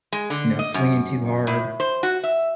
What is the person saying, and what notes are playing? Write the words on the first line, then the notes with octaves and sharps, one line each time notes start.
you know, swinging too hard.
G#3
D3
D#5
F#2
A2
C5
F#4
E5